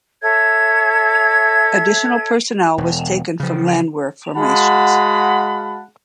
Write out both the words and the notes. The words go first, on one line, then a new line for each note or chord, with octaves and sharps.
Additional personnel was taken from "Landwehr" formations.
A4 C#5 E5 G#6
E1
C#3 F3
G#3 F#4 F5 F#5 A5 B5